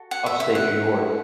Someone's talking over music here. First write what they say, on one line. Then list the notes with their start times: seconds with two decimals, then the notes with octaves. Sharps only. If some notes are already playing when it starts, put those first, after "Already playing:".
Upstate New York,
Already playing: F#4 A4
0.11 F#5
0.26 E5
0.40 E5
0.55 F#5